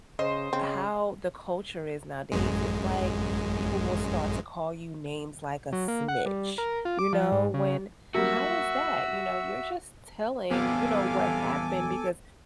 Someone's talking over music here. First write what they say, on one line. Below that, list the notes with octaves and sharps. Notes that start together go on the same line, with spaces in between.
how the culture is nowadays. It's like people will start to call you names like a snitch, you know? When how is that? You know, you're just telling, you know, what happened because
C#3 C5 D#5
C#3 C4
A1 F#2 G#3
F#3
A#3
F#5
G3
A#4
F4
D6
F3
G#2
C#3
F#3 G3 A#3 F#4 E5 E6
E2 C3 G3 B3 A4 F5 G#5 D6